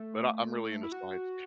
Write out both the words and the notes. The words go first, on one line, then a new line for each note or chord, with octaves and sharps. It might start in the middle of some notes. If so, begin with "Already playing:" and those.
But I I'm really into science.
Already playing: A3
E4
F#4